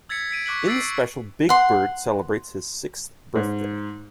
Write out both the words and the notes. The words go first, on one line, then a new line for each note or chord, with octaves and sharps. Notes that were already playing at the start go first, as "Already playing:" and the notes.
In the special Big Bird celebrates his sixth birthday.
E6 G#6 A6 B6 C#7
B6 D7 D#7
C#6 D6 F#6 B6 F#7
E6 A6 B6 C7 D7 F#7
F#5 C6
G#2